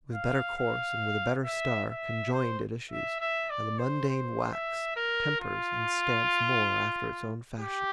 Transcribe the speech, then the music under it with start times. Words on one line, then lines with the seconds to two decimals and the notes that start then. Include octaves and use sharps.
With better course and with a better star Conjoined it issues, and the mundane wax Tempers and stamps more after its own fashion.
0.14 F5
0.58 F5
1.45 E5
1.89 E5
2.33 C5
2.91 E5
3.20 E5
3.50 D5
3.79 C5
4.09 C5
4.53 E5
4.96 A#4
5.41 F4
7.60 G4